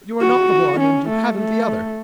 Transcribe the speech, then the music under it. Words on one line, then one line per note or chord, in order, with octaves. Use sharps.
But you are not the one and you haven’t the other.
F#4
C#4
A3
A3